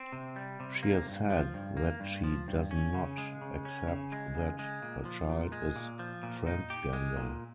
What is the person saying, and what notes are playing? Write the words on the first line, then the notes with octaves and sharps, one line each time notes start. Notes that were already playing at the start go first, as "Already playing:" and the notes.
She has said that she does not accept that her child is transgender.
Already playing: C4
C3
G3
C3
A#3
G2
F3
G2
A#3
G2
F3
G2
C#4
C#3
G#3
C#3
C#4
C#3
G#3
C#3
G#3
A#2
F3
A#2
G#3
A#2
F3
A#2
D#4
G4
G#3
A#2